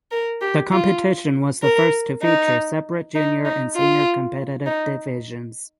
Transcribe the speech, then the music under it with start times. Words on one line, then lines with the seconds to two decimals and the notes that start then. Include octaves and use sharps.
The competition was the first to feature separate junior and senior competitive divisions.
0.11 A#4
0.41 G4
0.72 F4
1.63 A#4
2.23 D#4
3.15 D#4
3.45 D#4
3.76 F4
4.66 D#4